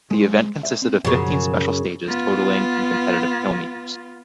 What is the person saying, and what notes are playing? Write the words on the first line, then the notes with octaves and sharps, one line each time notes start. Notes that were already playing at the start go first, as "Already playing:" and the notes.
The event consisted of fifteen special stages totalling in competitive kilometres.
G#3 C5
C5 D5 E5
C4
B1 F#2 C#3 F3
B3 F4